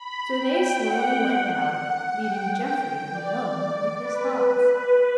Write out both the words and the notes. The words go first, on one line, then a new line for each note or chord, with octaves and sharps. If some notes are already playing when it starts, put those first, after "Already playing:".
So they slowly went out, leaving Geoffrey alone with his thoughts.
Already playing: B5
G5
F#5
G5
G5
D5
B4